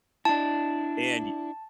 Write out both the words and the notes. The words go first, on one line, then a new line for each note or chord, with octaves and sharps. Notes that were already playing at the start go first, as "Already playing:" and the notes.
And y
D4 E4 A5